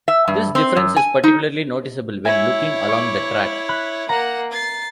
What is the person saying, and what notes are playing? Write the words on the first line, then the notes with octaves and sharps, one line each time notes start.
This difference is particularly noticeable when looking along the track.
E5
G2
C4
F#2
G#5
D#4
E4 C#5 E5 G#5
C#6 D6
B5 F#6
A#3 F#5 A#5
A6 C7